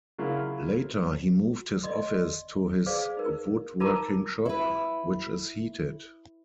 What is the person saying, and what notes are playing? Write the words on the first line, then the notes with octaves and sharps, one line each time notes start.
Later, he moved his office to his woodworking shop, which is heated.
C#3 F#3 E4 F4 A#4
D5 D#5 C6
G#4 C5 D5 F5
D#4 A#4
D#4 F4 A#4 A5 A#5 D6
E4 B4